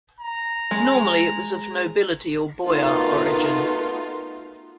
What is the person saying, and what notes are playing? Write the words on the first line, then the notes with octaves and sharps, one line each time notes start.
Normally it was of Nobility or Boyar origin.
A#5
G#3
A3 B3 D#4 F4 F#4 A#4